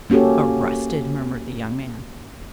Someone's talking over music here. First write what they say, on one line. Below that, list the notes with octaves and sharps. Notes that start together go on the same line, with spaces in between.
"Arrested!" murmured the young man.
A#3 C#4 F#4 G4 A4